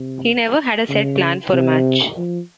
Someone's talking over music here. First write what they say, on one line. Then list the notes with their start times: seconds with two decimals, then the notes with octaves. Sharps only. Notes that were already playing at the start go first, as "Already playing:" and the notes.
He never had a set plan for a match.
Already playing: C3
0.89 C#3
1.53 C3
2.17 F3